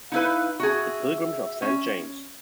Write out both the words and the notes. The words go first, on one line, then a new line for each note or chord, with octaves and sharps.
The Pilgrims of Saint James.
D#4 E4 B4 F5
F#4 G#4 E5
C#4